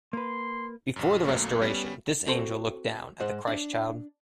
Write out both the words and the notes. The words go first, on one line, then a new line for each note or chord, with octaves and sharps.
Before the restoration this angel looked down at the Christ child.
A#3 B4 C6
A#1 F#2
B1 F#2 F#3 A3 A#3
G3 B3 C#4
C4 F#4 A4 C5 A5 C6
G#2 G#3 C5 F#5
D4